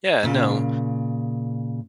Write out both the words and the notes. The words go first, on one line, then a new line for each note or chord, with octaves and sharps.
Yeah. No.
A#2 C#3